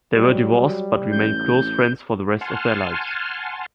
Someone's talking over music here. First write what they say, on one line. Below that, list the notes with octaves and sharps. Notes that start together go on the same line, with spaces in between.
They were divorced but remained close friends for the rest of their lives.
F#3 G3
A1 G6
F#5 G#5 A5 C6 F6